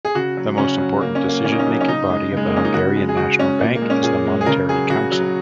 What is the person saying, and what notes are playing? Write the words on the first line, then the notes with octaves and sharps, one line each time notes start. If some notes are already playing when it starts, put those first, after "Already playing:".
The most important decision-making body of the Hungarian National Bank is the Monetary Council.
G#4
C#3 F#4
F#3
C#3 C#4
F#3
C#3 A#3
C#4
F#3
A#3
C#3 C#4
D#4
C#4
F#3
C#4
C#3 D#4
G#3
C#3
G#3
A#3
G#3 C#4
D#4
C#3 F#4
G#3
G#4
C#3 F#4
G#3 C#4
A#2 A#3
A#3
G#3
C#4
A#2 G#4
G#3
G#4
C#3 A#4
F#3 G#4
C#3 F#4
F#3